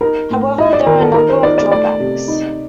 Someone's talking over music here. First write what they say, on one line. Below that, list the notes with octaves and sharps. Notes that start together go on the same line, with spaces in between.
However, there are a number of drawbacks.
D#4 A#4
A2
D#4 D#5
D5
D#3 A#4
A4
D#4 A#4
C5
D#4 D5
D5
A3 D5
C3
D#4